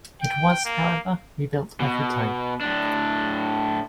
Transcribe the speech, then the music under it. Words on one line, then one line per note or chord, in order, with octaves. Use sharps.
It was, however, rebuilt every time.
G5
A#3
B2
A2 D4